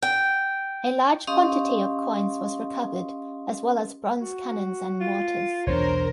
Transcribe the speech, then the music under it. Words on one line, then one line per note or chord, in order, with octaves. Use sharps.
A large quantity of coins was recovered, as well as bronze cannons and mortars.
G5
C#4 G4 D#5 F5 C6 D#6
F#4
F4
B1 E2 D4 A#4 C5 C#5